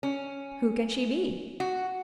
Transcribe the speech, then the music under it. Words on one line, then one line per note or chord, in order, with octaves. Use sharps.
Who can she be?
C#4
F#4